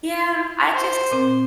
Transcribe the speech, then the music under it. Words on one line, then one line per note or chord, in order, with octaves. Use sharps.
Yeah, I just
C5
A#2 C4